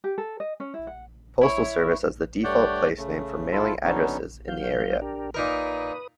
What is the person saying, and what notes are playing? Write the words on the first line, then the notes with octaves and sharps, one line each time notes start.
Postal Service as the "default" place name for mailing addresses in the area.
G4
A4
D#5
C#4
E4
F#5
E4 C#5
G2 A3 C#5 D5 F#5 G6
C#3 A3
E4 F4 A4
D3 F#3 B3 C#4 D#4
F#3 F5 G6
D4 G4 A#4
A#2 D#4 A#4 B4 D#6